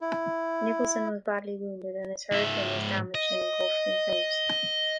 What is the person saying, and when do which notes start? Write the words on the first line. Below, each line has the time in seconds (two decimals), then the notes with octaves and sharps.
Nicolson was badly wounded, and his Hurricane was damaged and engulfed in flames.
0.01 E4
2.32 G#2 E5
3.15 D#5